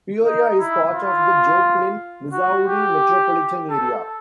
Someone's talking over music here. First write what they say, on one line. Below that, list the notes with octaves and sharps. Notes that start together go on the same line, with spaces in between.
Peoria is part of the Joplin, Missouri metropolitan area.
D#4
E4
F4
F#4
G4
A4